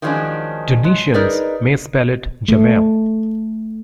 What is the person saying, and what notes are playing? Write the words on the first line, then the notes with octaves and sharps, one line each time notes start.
Tunisians may spell it "Jamel".
D#3 F3 F#3 G#3 C#4 D4
G#3
D#4 G#4 A#4 B4 D5 D#5
A3